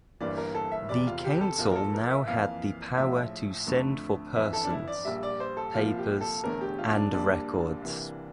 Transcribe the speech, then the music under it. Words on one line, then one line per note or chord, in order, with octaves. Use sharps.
The Council now had the "power to send for persons, papers, and records".
G1 G2 E3 A#3 D5
A#4
A4
E5
F1 E2 C3 D5
F4
G4
A4
A#1 A#2 F3 A#3
A#4
A4
A#4
E5
F2 E3 A#3 F5
A#1 A2 F3 E5
F2 D3 A3
G1 F2 E3 E5
A4
D4
E4
D5
A#1 A#2 G3 E5
D5
C5
A4
C2 A#2 F3 A#3 F4
G4
A4
E1 E2 D3 A3 A#4
G4
F4
D4
A#1 A#2 G3 A#3 D4
C2 C3 E3 A#3